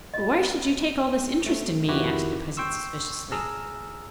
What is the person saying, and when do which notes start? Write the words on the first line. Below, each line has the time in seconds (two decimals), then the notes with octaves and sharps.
'But why should you take all this interest in me?' asked the peasant suspiciously.
0.14 F4 D#5
1.46 A3
1.88 F2 D#3 E4 F#4 G4 B4
2.57 G5 C6 C#6 E6
3.32 G#4 A5 A#5 E6 F6